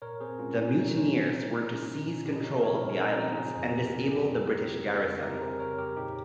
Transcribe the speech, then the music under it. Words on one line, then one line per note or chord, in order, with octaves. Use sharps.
The mutineers were to seize control of the islands and disable the British garrison.
A#2 A#4 C#5
C4 G#4 C5
G#3 C#4 F4
A#2 C#4
A#2 D#4
C4 C#4
G#3 D#4
A#2 C#4 F4
A#2 D#4
C4 C#4
F3 D#4
A#2 C#4 F4
A#2 D#4 G4
D#5
C4 A#4 C#5
F3 A#4 C#5
A#2 F4 G#4
C4 D#4
F3 D#4
C#3 F4 G#4
F2 G#4 C5
C4 G4 A#4
F3
G#4
C#3 D#4 G4
F2 F4 G#4
C4 G4 A#4
G3
C#3
F2
C4 G4 A#4
A#4
G3 G#4 C5
C#3 A#4 C#5
F2 G4 A#4
A#2 D#4 G4